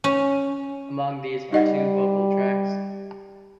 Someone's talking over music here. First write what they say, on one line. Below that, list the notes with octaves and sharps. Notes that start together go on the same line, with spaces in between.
Among these are two vocal tracks.
C#4
G3 D#4 D#5 F#5